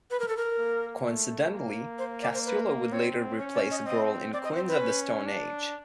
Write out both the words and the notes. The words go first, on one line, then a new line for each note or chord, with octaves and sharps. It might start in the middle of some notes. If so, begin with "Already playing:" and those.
Coincidentally, Castillo would later replace Grohl in Queens of the Stone Age.
B4
A#4
A4
A#4
A#3
A3
A#3
C5
D5
C5
B4
C4 C#5
C#4 C#5
D5
D#5
C4 D#5
C4 D5
D#5
C5
B4
C#4
D4